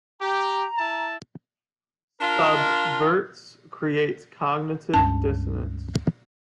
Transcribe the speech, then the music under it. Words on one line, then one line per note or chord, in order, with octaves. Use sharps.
Subverts create cognitive dissonance.
G4 A#5
E4 A5
D4 F4 A#4
C#2 G2 C#4 A5